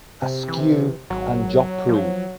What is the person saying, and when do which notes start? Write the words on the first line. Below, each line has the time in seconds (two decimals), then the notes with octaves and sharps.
Askew and Joppru.
0.22 C3
0.48 E3
1.10 G#1 F#3
1.89 F3